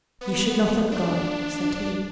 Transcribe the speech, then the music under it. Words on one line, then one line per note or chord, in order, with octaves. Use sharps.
"You should not have gone," said he.
B3
D4